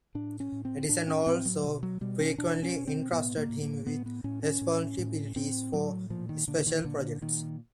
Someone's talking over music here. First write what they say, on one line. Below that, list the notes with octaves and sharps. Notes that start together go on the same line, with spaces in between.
Edison also frequently entrusted him with responsibility for special projects.
A2 D4
C#4
A2
C4
A2 D4
C#4
A2 C4
F#3
B2
F#3
B2 G3
C#4
B2 D4
C#4
B2
C4
A2 B3
A#3
A2
A#3
A2 B3
B3
A2 C#4
C#4
A2
A2
A2 C4
A2 F#3
A#2 F3
D#3
A#2 D3
D#3
A#2 D3
A#2 D#3